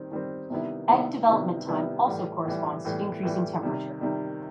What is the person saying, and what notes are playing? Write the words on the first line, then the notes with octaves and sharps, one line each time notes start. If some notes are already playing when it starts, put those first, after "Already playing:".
Egg development time also corresponds to increasing temperature.
Already playing: D#3 G3 C4
D#3 G3 C4
C3 D#3 G3 B3 E4
C3 D#3 G3 B3 E4
C3 D#3 G3 B3 E4
C3 D#3 G3 B3 E4
A2 E3 G3
A2 E3 G3
A2 E3 G3
A2 E3 G3
C3 D#3 G3
C3 D#3 G3